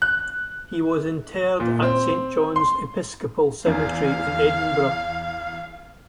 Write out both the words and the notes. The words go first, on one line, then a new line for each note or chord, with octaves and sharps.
He was interred at Saint John's Episcopal Cemetery in Edinburgh.
F#6
A#2
C4
C6
E2 F5